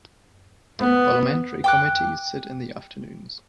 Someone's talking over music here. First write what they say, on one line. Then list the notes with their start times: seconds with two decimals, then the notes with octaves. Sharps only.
Parliamentary committees sit in the afternoons.
0.80 B3
1.64 G5 D6 F#6